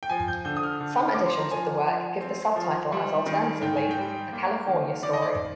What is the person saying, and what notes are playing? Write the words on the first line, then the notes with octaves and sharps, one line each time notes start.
Some editions of the work give the subtitle as alternatively, "A California Story".
G5
F3 G#5
G6
D3 G6
D#6
F6
D3
F3 D6
C6
A#5
F3 G#5
F3
C4
F3
G3
D#3
G#2 G5
G#5
G5
G3
A#3
D#3
D#3 D5
D#5
D5